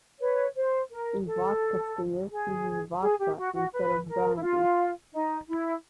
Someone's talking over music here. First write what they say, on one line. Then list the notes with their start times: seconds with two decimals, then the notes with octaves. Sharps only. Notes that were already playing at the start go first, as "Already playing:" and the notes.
A "vodka stinger" uses vodka instead of brandy.
0.21 B4 C#5
0.56 C5
0.91 A#4
1.26 A4
2.31 G#4
3.02 G#4
3.19 G4
3.37 F#4
3.54 F#4
3.72 B4
4.07 A#4
4.35 E4
4.42 F4
5.13 D#4
5.48 E4